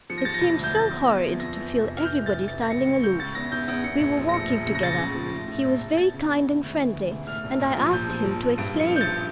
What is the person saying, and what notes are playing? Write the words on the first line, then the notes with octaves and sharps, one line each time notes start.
"It seemed so horrid to feel everybody standing aloof--we were walking together--he was very kind and friendly--and I asked him to explain."
F3 C#7
A#6
F3 A6
A#6
E1
D2
G6
F3 A6
E2
E2
F3
F2 A#6
E3
F1
F1
F6
E3 G6
A1
A6
E3
A6
A1
A#6
C#2 C#7
C#2 C#7
C#2 G6
C#3 A6
E2 A#6
E2 G6
E2
E2 C#7
A#1
F3
A#6
A2 C#7
A#1
C#3 C#7
A#6
C#2 A6
A#6
C#3
F3
A2
A2
A#1
A#1
E2 A6
C#3
E2
C#3
D2
E3
D2
E1
A2 F6
A#1
A#1
F3
A#1 G6
F3
A#1
A#1
G2 D7
F3
C#7
A1
G6
A6
F3